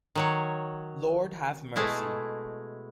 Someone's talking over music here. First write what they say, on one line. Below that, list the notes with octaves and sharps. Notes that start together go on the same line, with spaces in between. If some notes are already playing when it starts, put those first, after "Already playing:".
Lord Have Mercy!
D#3 F#3 C#5
B2 G#3 A3 E4